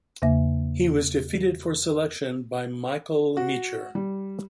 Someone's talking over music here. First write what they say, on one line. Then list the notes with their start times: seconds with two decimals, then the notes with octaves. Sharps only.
He was defeated for selection by Michael Meacher.
0.22 E2 C#3 A#3 E5
3.37 F#4
3.95 G3